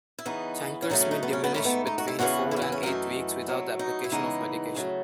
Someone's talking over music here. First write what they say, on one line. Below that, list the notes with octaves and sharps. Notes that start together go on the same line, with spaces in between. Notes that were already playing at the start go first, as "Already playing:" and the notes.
Chancres may diminish between four and eight weeks without the application of medication.
E4
C#3 E3 B3 D#4
C#4
C#3 F#3 A3 D#4
C#4
D#4
B3
C#4
B3
G#2 D#3 A3 C#4
B3
D#4
F#4
E4
E2 C#3 E3 B3 F#4
E4
F#4
E4
C#4
F#2 E3 A3 D#4
B2 F#3 A3
D#4
E4
C#3 E3 G#3 B3 D#4
C#3 F#3 A3